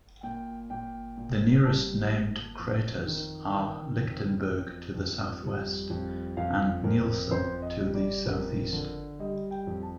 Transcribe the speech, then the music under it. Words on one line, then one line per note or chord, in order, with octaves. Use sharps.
The nearest named craters are Lichtenberg to the southwest and Nielsen to the southeast.
A#2 G5
A#2 G5
A#2
G3 A5
A#2
F2
D#3
D#3 G5
F2
F2
F2
G3
F2
F2 F5
F2 A#4
F2 C5
D#5
G3
D5
F2 A#4
D3
G3 D#5
G5
F2
A5